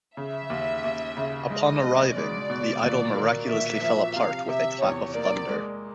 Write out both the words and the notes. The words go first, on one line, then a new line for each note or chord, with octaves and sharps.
Upon arriving, the idol miraculously fell apart with a clap of thunder.
C#3 E5
D#2
D#2
C#3
G#3 D#5
B2
G#3 D5
B2
A#2
A#3
A#2 E5
F3
C3 F5
C3 E5
E2 C#5
A#3 D5
G#3